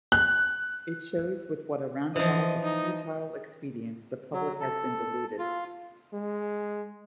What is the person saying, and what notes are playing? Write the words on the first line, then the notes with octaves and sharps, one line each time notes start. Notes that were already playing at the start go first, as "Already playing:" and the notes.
It shows with what a roundabout of futile expedients the public has been deluded.
F#6
E3 F3 D#5
D#4
F#3
A4
F4
G#3